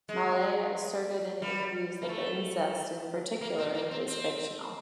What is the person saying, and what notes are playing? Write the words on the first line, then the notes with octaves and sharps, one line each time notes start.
Malle asserted in interviews that the incest, in particular, is fictional.
G#3
G3
A#3
A3
A#3
C4
A#3
C4
C4